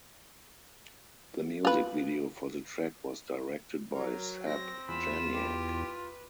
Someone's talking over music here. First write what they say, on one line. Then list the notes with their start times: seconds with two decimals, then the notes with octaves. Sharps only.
The music video for the track was directed by Seb Janiak.
1.65 F4 B4
3.93 F#3 A#4
4.47 C4 A#6
4.89 E2 F4 B5 E7
5.34 G4
5.69 B4